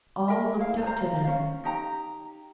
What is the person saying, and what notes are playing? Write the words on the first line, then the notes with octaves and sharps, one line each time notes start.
All looked up to them.
A#4 E5
E4 F5
C5 F5 A#5
C#4 F5
D#4 G4 A#5